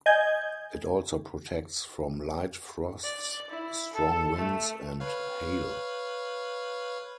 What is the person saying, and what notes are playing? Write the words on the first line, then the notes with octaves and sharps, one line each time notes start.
It also protects from light frosts, strong winds and hail.
D#5 G#5 G6 G#6
D5
E4
A4
A3
B4 C#5 F5